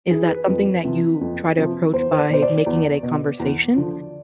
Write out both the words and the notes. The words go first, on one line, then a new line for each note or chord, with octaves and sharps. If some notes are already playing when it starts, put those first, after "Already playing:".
is that something that you try to approach by making it a conversation,
E3 G#4
B4
F2
C3 F3
F2
C3 F3
E2 C5
C5
D5
B2 C5
D5
E2
B2
E2
D3 F3